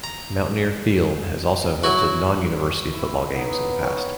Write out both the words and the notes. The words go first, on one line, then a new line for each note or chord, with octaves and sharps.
Mountaineer Field has also hosted non-university football games in the past.
A#5
F#3 E4 F#4
C#6
E4
B3 D#4 C#5
C#5